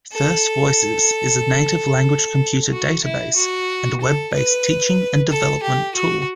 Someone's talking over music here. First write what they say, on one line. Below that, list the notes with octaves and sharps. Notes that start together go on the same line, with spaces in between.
FirstVoices is a native language computer database and web-based teaching and development tool.
A4
F#4
E4
F#4
A4
B4
A4
G4
F#4